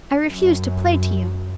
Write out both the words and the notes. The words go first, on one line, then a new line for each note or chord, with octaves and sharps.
I refuse to play to you!
F#2